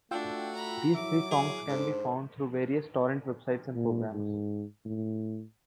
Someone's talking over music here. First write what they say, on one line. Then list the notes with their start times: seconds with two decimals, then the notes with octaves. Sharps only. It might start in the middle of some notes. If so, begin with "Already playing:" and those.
These three songs can be found through various Torrent websites and programs.
0.11 A3 D4 F4 F#4 G5 E6
0.55 A#5 B5
0.95 F#3 E4 E5 D6
1.31 G#4
1.69 G#2 D4 A4 C5
3.75 A#2
4.12 G#2
4.85 A2